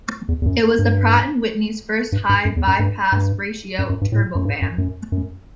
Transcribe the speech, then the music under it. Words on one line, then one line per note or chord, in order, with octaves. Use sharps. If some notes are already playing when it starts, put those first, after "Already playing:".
It was the Pratt and Whitney's first high-bypass-ratio turbofan.
E2
E2
F#2
G2
G2
G2
F#2
E2
F#2
G2
G2
F#2
F#2
G2
A2
F#2
G2
F#2
F#2
F#2